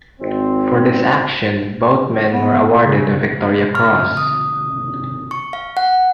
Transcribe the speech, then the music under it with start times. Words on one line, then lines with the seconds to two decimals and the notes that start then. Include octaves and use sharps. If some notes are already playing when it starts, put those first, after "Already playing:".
For this action both men were awarded the Victoria Cross.
0.20 G#1 C4
2.31 B3
2.80 C#3
3.75 F6
4.17 D#6
5.31 C#6
5.53 F5
5.77 F#5